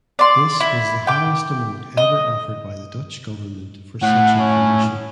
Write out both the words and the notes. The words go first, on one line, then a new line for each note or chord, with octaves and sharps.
This was the highest amount ever offered by the Dutch government for such information.
D5 C6
E4
G5 D6
D#5
A2 F#5
C#4